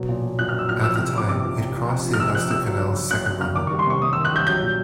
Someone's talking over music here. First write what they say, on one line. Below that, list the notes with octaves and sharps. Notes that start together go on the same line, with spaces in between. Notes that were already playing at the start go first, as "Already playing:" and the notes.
At the time, it crossed the Augusta Canal's second level.
Already playing: B2 F#3
A#2
F#3
A#2 F#6
F#3 F6
E6
A#2 F6
F3 E6
F6
C3
F3 D6
C3 D6
F3
C3
F3
C3
F3
F6
C3 E6
F3 F#6
C3 E6
F#3
C#3
F#3
C#3 F#6
F#3 F#6
C#3 F6
D#3 D6
C#6
G3
C6
C3 C#6
C3 D#6
E6
D#3
F#6
G3 G6
F#3 G6
A#2